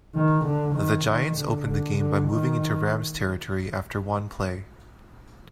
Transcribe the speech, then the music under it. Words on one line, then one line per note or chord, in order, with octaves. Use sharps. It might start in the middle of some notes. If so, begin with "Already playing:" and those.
The Giants opened the game by moving into Rams' territory after one play.
D#3
D3
D#3
D#3
D3
D3
D3
D#3